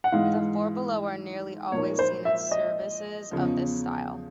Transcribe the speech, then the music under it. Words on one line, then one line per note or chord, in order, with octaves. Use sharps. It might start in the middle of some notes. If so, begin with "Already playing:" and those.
The four below are nearly always seen in services of this style.
F#5
G#2 E3 G#3 F5
A#2 F3 A#3 D#4 C#5
C5
E5
D#5
E2 C#3 F3